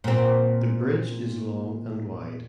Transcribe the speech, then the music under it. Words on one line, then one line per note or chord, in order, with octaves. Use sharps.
The bridge is long and wide.
A#2 C4